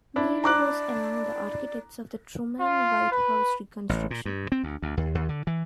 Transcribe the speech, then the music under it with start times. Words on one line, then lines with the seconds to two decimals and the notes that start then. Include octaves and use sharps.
Neild was among the architects of the Truman White House reconstruction.
0.16 D4 E4
0.44 D5 A#5 D6 F#6
2.60 F4
3.12 B4
3.89 A1
4.11 A#2
4.25 G2
4.52 C4
4.63 D2
4.82 D2
4.97 D#2
5.15 D#2
5.29 D3
5.47 E3